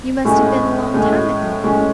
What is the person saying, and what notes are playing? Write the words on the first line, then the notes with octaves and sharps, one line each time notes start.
You must have been a long time at Munich.'
A2 G#3 C#4
A2 G#3 C#4
A2 G#3 C#4